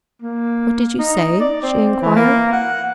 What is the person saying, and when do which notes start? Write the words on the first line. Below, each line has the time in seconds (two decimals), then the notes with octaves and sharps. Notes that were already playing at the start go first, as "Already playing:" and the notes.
"What did you say?" she inquired.
0.22 A#3
0.99 D#4
1.40 D5
1.63 C4
2.02 E3
2.16 A#3
2.52 F#5